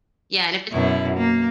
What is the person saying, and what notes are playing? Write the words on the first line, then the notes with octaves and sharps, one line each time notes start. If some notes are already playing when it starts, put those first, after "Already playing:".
Yeah, and if it's
F#2 B2 E4
A#3